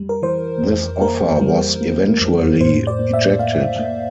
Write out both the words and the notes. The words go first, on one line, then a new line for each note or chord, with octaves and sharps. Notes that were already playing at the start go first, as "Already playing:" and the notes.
This offer was eventually rejected.
Already playing: F2 G3
A#4
E3 C5
F2
A#3 A#4
G3
A#3
F2
A2 C5
D5
A#3
E5
A#3 F5
A#3